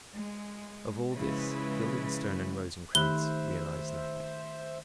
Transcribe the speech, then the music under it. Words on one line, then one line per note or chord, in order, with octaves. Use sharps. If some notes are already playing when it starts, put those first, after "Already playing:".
Of all this Guildenstern and Rosencrantz realise nothing.
G#3
C#3 F3 G#3 E4 B4
D#3 A3 G4 C5 E5 B5 F#6 G7